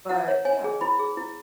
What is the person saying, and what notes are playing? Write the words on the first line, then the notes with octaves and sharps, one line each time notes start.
but, yeah,
E4 F#5
C#5
C#5 G#5
G#4
E4 B5
G#4
E4